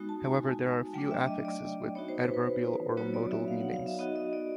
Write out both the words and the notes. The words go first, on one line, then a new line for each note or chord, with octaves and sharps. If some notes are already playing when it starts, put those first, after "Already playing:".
However, there are few affixes with adverbial or modal meanings.
Already playing: G#3 B3 D#4 F#4
A5
G#5
F#3 A3 D4 G5
E5
D#5
D5
B3 D#4 F#4 C#5
C5
B4
B4
F#3 B3 D#4 F#4 C#5
D5
E5
F5
F#5
F5
E5
B3 D#4 F#4 D#5
D#5
D5